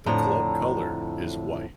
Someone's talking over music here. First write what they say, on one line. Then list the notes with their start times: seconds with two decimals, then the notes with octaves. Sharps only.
The club colour is white.
0.06 F2 A2 D3 A#5